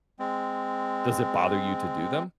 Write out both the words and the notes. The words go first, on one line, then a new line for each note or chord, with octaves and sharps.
does it bother you to do them?
G#3 C4